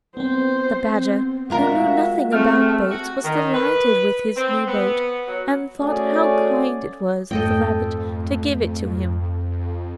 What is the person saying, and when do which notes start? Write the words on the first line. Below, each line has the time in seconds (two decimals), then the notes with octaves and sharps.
The badger, who knew nothing about boats, was delighted with his new boat and thought how kind it was of the rabbit to give it to him.
0.17 B3 C4 C5
1.50 G#3 F4 F#4 A#4 E5
2.33 A3 C4 G#4 F6
2.90 F#4
3.24 D#3
3.54 B4
4.36 C4
4.67 B3
5.28 F#3
5.80 A3 C#4 F#4 G#4 D5
7.31 F2 G#2 A3 A4 D#5 G5